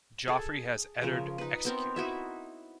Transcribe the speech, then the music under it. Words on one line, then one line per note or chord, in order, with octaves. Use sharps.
Joffrey has Eddard executed.
G#4 A4
C#3 F3 A#4
D#4 B4
B3 C4 A#4
D#4 E4 F#4 E5